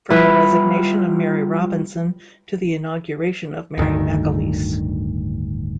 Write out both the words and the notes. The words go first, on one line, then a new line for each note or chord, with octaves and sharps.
From the resignation of Mary Robinson to the inauguration of Mary McAleese.
G3 E4 F4 B4
D1 D2 G2 D#3